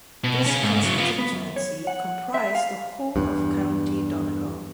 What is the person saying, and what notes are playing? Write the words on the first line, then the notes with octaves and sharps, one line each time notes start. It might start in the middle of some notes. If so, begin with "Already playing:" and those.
This constituency comprised the whole of County Donegal.
B2
C#4 G#4
G#2
C#3 F#3
B3 F4
B3
F#2
C#5
F#5
E5
F5
E2 G2